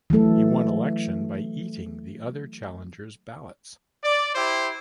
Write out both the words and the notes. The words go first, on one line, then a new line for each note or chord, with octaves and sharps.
He won election by eating the other challengers' ballots.
E3 F#3 A3 A4
D5
E4 G4 C5